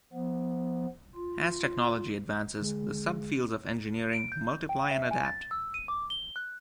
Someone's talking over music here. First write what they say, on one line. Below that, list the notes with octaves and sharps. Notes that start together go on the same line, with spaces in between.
As technology advances, the subfields of engineering multiply and adapt.
F3 B3
F4
D3 G#3 G#4
D7
G6
G5
E5
G#5
A6
E6
D#7
D6
G7
F#6